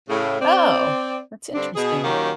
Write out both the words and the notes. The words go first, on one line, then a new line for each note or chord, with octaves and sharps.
Oh, that's interesting.
A2 C#3
C4 D5
G2 D3 G3 C4 D4
B2 G#4
A#2 D#3 F#3 C#4 G4 F5